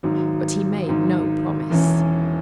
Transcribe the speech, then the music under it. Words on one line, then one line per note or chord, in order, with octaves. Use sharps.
But he made no promise.
G#1 G#2 F#3
G#1 G#2 F#3
E1 E2 E3 C#4